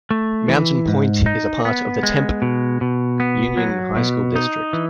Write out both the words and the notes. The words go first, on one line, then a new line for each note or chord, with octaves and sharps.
Mountain Pointe is a part of the Tempe Union High School District.
A3
E3
G#2
D#4
B3
G#3
B2
B2
B3
F#3
B2
D#4
E3